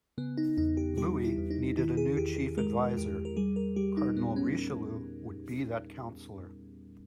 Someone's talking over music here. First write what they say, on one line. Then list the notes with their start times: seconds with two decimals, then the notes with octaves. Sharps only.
Louis needed a new chief advisor; Cardinal Richelieu would be that counsellor.
0.18 C#3 B3
0.38 D#4
0.57 E2 D#4
0.77 G4
0.97 G3 G4
1.25 E4
1.38 E2
1.51 D#4
1.77 D#3 E4
1.97 G#4
2.17 E2 G4
2.37 G#4
2.57 G#3 A#4
2.97 E2 G4
3.25 A#4
3.37 G3 G#4
3.56 A#4
3.76 G3 G4
3.97 D#4
4.16 A#2 B3
4.36 C#4